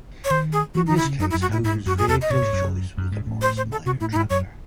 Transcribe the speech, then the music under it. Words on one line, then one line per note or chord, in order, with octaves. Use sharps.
In this case, Ho's vehicle of choice was a Morris Minor Traveller.
C#5
D#3 C5
G#4
E3 F#4
D#3 D#4
E4
C#3
F#2 D#4
E4
F#2
F#4
A2 E4
G#2 E4
F#2 F#4
G#4
E2 A4
D#5
A2 C#5
G#2
F#2
F#2
G#2
A2
C5
C5
A4
C3 F#4
A2 E4
D#4
G#2 E4
F#2 C#5